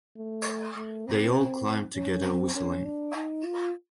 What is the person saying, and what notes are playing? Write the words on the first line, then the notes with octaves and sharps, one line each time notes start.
They all climbed together whistling.
A3
A3
C4
C#4
C4
C#4
D4
D#4
F4